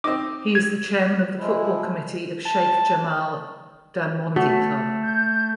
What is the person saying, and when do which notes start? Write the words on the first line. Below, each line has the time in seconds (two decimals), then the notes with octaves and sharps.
He is the chairman of the football committee of Sheikh Jamal Dhanmondi Club.
0.04 C4 D#4 D6
0.55 G#6
1.38 F3 G#3 E4
2.45 A5
4.36 A3 F#4
5.03 G6